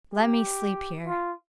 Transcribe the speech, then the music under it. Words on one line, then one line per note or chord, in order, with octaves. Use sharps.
"Let me sleep here."
G4
F4